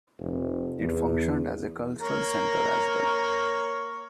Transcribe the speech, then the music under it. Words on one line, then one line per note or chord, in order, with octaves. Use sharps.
It functioned as a cultural centre as well.
F1
E2
A#3 C#5 A#5